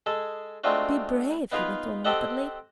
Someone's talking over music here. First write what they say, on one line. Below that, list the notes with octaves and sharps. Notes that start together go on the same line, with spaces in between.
'Be brave,' he went on rapidly.
G#3 G#4 A4
G#3 A3 C4 D4 F4 F#4
B3 D#4 F4 G#4 A#4 B4
C4 G4 A4 D#5 F#5